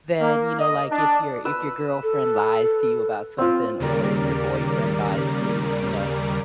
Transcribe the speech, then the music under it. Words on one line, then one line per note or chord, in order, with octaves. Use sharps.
than, you know, like if your if your girlfriend lies to you about something or if your boyfriend lies to you, you know.
A#3
D#5
D4
B4 E6
A4
C4 F4
D#2 C#3 G3 A#4 D5